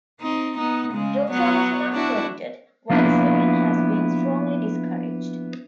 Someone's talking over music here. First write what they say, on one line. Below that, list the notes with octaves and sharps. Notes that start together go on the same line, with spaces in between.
Dogs are also not permitted, while swimming has been strongly discouraged.
C4 D#4
B3 D#4
C#3 G#3
F#3 B3 C#5
D4 E4 F#4
F3 A#3 B3 D4 E4